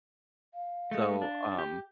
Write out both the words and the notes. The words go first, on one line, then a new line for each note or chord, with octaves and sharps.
so, um,
F5
G#3 A3
D4
G4